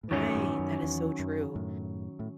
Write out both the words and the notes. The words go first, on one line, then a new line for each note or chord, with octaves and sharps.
Right, that is so true.
A2
E2 G#2 D#3 F#3 C#4
F#2 A2
F#2
E2
F#2
F#2 A2
A2